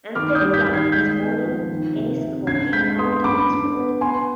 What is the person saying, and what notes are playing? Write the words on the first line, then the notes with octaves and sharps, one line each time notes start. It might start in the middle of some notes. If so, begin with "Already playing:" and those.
Anthony Cronin was born in Enniscorthy, County Wexford.
D#3 D6 F6
D#6 G6
G3
G6 B6
D#3
G#6 C7
G#3 G6 B6
B3
F3
D#3
C3
C3
D3 G#6 C7
G#3 G6 B6
B3 C6 D#6
D3 B5 D6
D3
B3
B3 G#5 C6